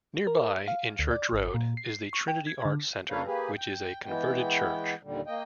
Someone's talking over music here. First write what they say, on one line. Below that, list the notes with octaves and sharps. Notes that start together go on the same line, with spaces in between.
Nearby, in Church Road, is the Trinity Arts Centre which is a converted church.
A#4
F5
D2
D5
G#1
A#2
C7
C#6
G5
G#6
D3
C#3 A#3 D4 B4 C#5 F5
A#3 G4 G#4 B4
G5
E3 G#3 B3 G5
D#2 A#2 D3 G3
A#3 D#5 G5